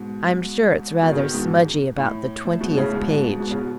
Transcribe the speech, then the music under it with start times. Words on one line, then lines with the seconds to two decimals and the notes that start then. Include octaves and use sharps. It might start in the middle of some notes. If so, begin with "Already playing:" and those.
I'm sure it's rather smudgy about the twentieth page.
Already playing: G#2 B2
1.02 B2 D#3
1.12 C#3
1.18 B2 D#3
1.34 G#2 B2
1.98 A2
2.45 A2
2.60 G#2 B2
2.76 A2 C#3
2.92 G#2 B2
3.40 G#2 B2
3.51 C#3
3.56 B2